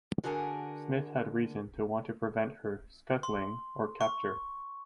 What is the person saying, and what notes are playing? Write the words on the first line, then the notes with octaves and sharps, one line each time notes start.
Smith had reason to want to prevent her scuttling or capture.
D3 F#4 G#4 A#4 G#5 A5
C6
C#6